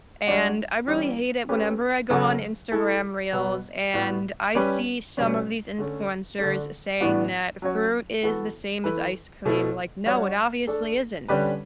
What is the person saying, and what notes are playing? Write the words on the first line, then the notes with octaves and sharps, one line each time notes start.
and I really hate it whenever I go on Instagram reels and I see some of these influencers saying that fruit is the same as ice cream, like, no, it obviously isn't.
G3 D4 F#4
E3 G3 C#4 E4 G4
A3 C#4 G4 B4
C#3 F#3 C#4 F#4 A4
A3 E4 A4
B2 G3 B3 F#4 B4
A2 G3 B3 F#4
G3 C#4 G4 B4
B2 G3 C#4
D3 A3 C#4
D3 A3 D4
A2 E3 B3 D4 F#4
F#3 C#4 F#4 C#5
E3 B3 F#4 A4
E3 A3 E4 B4
B2 A3 E4
G3 D4 F#4 C#5
A3 D4 A4
D3 G3 C#4 G4 B4